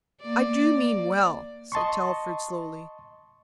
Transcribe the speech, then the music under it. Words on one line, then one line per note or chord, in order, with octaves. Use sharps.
"I do mean well," said Telford slowly.
A#3 D5
D#5 A5 C6 C#6